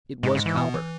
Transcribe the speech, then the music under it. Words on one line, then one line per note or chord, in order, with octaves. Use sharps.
It was copper.
G#2 B2 G#3
C#3
E3
B2 B3
E3